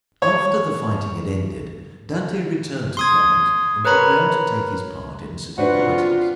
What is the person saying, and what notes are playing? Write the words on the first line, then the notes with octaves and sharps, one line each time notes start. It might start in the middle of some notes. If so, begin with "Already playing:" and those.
After the fighting had ended, Dante returned to Florence and prepared to take his part in city politics.
C#5
C6 D#6 G#6
A#4 B4 C#5 A#5 B5
C4 D4 F4 F#4 B4